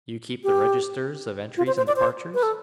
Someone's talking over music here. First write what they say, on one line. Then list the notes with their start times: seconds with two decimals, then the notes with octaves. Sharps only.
"You keep the registers of entries and departures?"
0.44 G4
1.57 F4
1.67 C5
1.77 C5
1.87 D5
1.96 C5
2.34 B4
2.43 A4